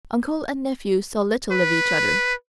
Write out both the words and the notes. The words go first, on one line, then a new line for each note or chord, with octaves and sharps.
Uncle and nephew saw little of each other.
B4